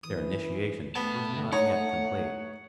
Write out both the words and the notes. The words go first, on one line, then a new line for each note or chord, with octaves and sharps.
Their initiation was not yet complete.
E3 D#6
G2 A3 B3 A5
D#4 C#5 F#5